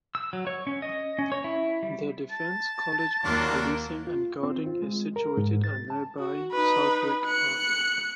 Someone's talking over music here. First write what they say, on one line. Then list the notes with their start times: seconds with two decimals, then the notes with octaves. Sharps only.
The Defence College of Policing and Guarding is situated at nearby Southwick Park.
0.15 E6
0.33 F#3
0.47 C#5
0.67 C#4
0.82 D#5
1.19 C#4
1.32 C#5
1.44 E4
1.83 G3
2.31 A5
3.25 D#2 F#3 A#3 D4 F4
4.07 F4
4.43 C4
4.66 F4
4.82 G#3
5.16 A#4
5.37 G#2
5.64 A6
5.90 A5
6.19 F#4
6.52 D#4 B4
7.26 F#6 C#7